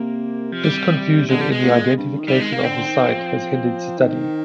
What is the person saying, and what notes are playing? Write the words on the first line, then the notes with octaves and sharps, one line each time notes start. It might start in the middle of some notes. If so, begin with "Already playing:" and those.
This confusion in the identification of the site has hindered study.
Already playing: C3 A#3
F3
G3
D3 G#3
G3
G#3
A#2
G2
D#3
G3
D#3 G#3
C3 A#3
D3 C4
D#3
F3
D#3